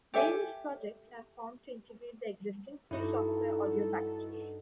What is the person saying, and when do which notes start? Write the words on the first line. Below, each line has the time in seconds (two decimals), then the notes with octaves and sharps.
Various projects have formed to integrate the existing free software audio packages.
0.14 G4 A4 E5 G5 G#5
2.91 G2 D#4 E4 F#4 A4